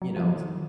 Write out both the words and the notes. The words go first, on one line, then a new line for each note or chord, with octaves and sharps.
you know, s
F#3
F3
D#3